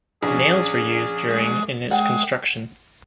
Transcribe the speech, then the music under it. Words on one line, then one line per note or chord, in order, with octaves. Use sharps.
Nails were used during in its construction.
A#1 C#4 G#4
F#5 G5